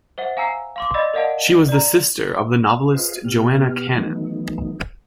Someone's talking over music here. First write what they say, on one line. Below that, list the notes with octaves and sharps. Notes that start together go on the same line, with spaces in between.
She was the sister of the novelist Joanna Cannan.
C5 E5 F#5
F5 G#5 A#5 E6 C7
F5 C6 D6
D5 D#5 B5 E6 A6 A#6
A#4 D5 D#5 F5 F#5 A5
D5 A#5
F4 G#4 B4 C5 D#5 F5
B2 B3 G4 F6
D#3 E3 F#3 A3 B3 D#4